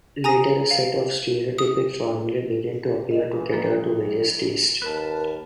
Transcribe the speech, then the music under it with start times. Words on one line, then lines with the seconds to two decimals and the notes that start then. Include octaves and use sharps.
Later a set of stereotypic formulae began to appear to cater to various tastes.
0.24 G#5 A#5 D#6 A#6
0.71 F5
1.58 D#6
3.11 D#5
3.32 E3 G#3 F5
3.52 F3 G3 A#3 D#4 B4
4.82 D#2 A#4 B4 A5